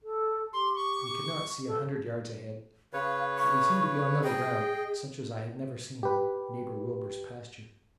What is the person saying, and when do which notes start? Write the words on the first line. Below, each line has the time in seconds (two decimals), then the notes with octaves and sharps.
We could not see a hundred yards ahead, but we seemed to be on level ground, such as I had never seen in Neighbor Wilbur's pasture.
0.03 A4
0.53 G4 C6
0.76 C#6
1.67 A4
2.93 C#3 B4 C#5 F5
3.36 C#6
4.24 G#4 D#5 G5
6.03 G4 B4